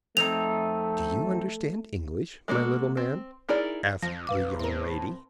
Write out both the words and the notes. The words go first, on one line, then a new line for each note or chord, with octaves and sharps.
"Do you understand English, my little man?" asked the young lady.
F2 A3 C4 D#4 F7
G#3 A#3 D4 F#4 A4
C4
D#4 E4 G#4 A#4 D5
F2 F3 A#6
B1 B4 F5 D6
A2 C4 A#4